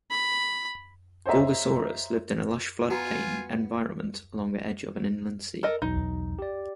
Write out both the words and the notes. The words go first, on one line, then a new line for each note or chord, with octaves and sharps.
"Gorgosaurus" lived in a lush floodplain environment along the edge of an inland sea.
B5
C5 C#5 D#5 E5 A#5
B3 F4 F#4 G#5 A#5
A4 A#4 D#5
B1 E2 D#4
G4 D5